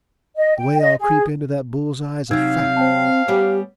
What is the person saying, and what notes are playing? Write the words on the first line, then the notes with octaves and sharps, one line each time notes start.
"The way I'll creep into that bull's-eye's a fact."
D#5
G5
D#5
G#4
C3 F#3 D#4 F5 E6 G#6
C4 C5 G5 A5
G3 B3 C#4 G4